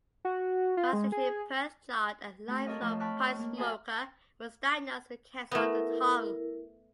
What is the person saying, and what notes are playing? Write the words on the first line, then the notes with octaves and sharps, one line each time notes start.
While stationed in Perth, Chard-a lifelong pipe smoker-was diagnosed with cancer of the tongue.
F#4
F4
G#3
G#4
A3 C4 G4
A4 A#4 C#5 D#5 F5
F3 A3
G5 A5 B5 C#6 F6 F#6
A#3
F#4 A4 E5 G#5 C6 D#6
A3 B3 E4 A#4